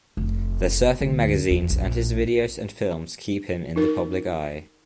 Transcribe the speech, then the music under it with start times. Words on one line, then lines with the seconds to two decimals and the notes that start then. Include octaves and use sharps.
The surfing magazines and his videos and films keep him in the public eye.
0.17 F1
1.01 D2
1.51 E2
1.70 A#1
3.76 D#4 A#4